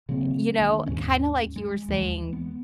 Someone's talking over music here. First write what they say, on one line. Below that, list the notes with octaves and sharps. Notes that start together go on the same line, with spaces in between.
you know, kinda like you were saying
C#3 F#3 A#3 C4
D#3 F3 A#3 D4
D#2 G#2 G#3 C#4
G#3
D#2 E3 G#3
B3